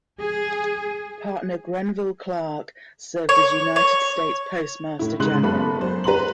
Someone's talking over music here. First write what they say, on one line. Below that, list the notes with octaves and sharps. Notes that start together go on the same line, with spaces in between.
Partner Grenville Clark served as United States Postmaster General.
G#4
C#5
C#5
A2 E4
G#2 C#3 C6 F#6 F#7
F#1 B3 A4 B5
F#2 C5
B4 A#5 C6 F#7